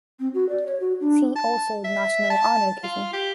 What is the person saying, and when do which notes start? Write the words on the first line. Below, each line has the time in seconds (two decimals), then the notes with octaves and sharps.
See also National anarchism.
0.19 C4
0.34 F#4
0.49 D5
0.66 C#5
0.80 F#4
1.00 D4
1.36 A5
1.85 E5
2.30 A5
2.84 F4
3.13 G4